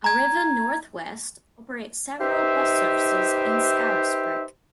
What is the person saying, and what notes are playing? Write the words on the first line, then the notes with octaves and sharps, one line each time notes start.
Arriva North West operate several bus services in Scarisbrick.
A#5 G#6
D#4 G4 B4 C5 E5